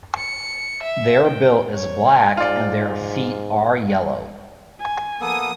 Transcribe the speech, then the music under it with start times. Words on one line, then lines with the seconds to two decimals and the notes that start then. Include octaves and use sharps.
Their bill is black and their feet are yellow.
0.17 C#7
0.83 E5
1.27 G5
1.73 C#5
2.37 G#2 F4 D5
4.80 G#5
5.21 F3 A#3 B3 A4 D#6